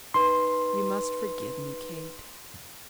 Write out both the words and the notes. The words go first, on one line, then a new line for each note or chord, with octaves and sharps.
You must forgive me, Kate.
D#4 B4 C6